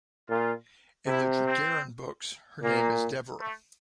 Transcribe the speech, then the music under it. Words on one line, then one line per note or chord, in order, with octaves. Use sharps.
In the Dragaeran books her name is Devera.
A#2 F4
C3 E4
C4
A#2 A#3
A3